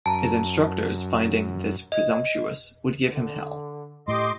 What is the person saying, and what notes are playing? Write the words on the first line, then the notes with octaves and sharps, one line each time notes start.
His instructors, finding this presumptuous, would give him hell.
F#2 A5 A#5
D#5
D3
A2 G4 D#5 C6 D6